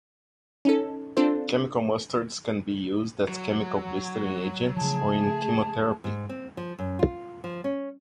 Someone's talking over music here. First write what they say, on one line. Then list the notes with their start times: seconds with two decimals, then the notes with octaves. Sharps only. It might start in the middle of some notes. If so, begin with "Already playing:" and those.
Chemical mustards can be used as chemical blistering agents or in chemotherapy.
0.65 C#4 D#4 A4
1.17 C4 D4 F4 A4 C5
3.28 F#3
4.76 C#3 F3 A3 G#4 A5
6.04 G#2
6.29 C4
6.57 F3
6.79 F#2
6.99 F4
7.44 F3
7.64 C#4